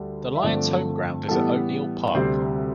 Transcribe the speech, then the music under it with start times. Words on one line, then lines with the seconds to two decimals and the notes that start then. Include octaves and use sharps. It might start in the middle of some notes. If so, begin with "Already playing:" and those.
The Lions' home-ground is at O'Neill Park.
Already playing: D2 D3 G3
0.35 E5
0.43 G2 D3 F3 A3 C4 D4 D5
1.28 A2 E3 G3 B3 A4
2.14 D2 C3 G3 C4 C5